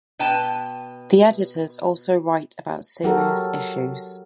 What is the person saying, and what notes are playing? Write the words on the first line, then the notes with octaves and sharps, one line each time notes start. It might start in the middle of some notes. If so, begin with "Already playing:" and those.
The editors also write about serious issues.
B2 B4 G5 A5
F#3 F#4 G4 A4 A#4